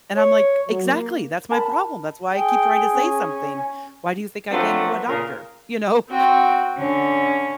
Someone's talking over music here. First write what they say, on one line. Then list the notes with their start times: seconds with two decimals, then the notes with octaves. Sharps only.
and I'm, like, "Exactly, that's my problem that's why I keep trying to say something. Why do you think I came to a doctor?" You know?
0.16 C#5
0.68 F#3
0.82 A#3
1.50 A#4 A5 B5
2.33 G#4 G5
2.94 C#4
4.51 F3 F#3 A3 B3 C4 D4
5.08 A#2 C#3 A#4
6.09 C4 F#4 G5
6.77 D3 C#4